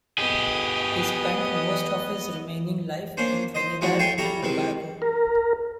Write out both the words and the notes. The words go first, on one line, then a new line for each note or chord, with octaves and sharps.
He spent most of his remaining life in Trinidad and Tobago.
B3 G4 G#4 D#5
A#3 C#4 D4 C5
C5 D#5
F3 G#3 C#4 E4 F#4
E4 A4 C#5 G5 G#5 C6
G3 E4 A4 C#5 A#5
G#2 C3 D#3 E4
A#4